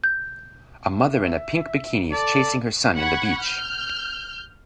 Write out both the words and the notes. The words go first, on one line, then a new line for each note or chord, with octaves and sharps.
A mother in a pink bikini is chasing her son in the beach.
G6
E5
A4 D5
F#5 B5 C#6 G#6
F6 G6